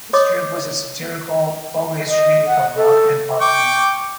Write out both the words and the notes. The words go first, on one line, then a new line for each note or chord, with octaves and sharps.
The strip was a satirical faux-history of rock and pop music.
C#5 D#5 D6 D#6
D#5
F#5
A4
G5 C#6 D6